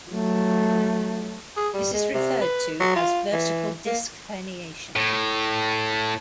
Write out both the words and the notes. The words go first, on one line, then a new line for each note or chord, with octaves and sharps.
This is referred to as "vertical disc herniation".
F#3 A3
G#4
G3
G#3
C3
B4
F#3
F4
E3
A#3
A2